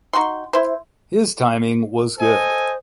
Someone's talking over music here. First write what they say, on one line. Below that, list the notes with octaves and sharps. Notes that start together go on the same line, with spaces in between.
His timing was good.
D#4 F#4 G5 C6
E4 C5
A4 C5 D#5 G#5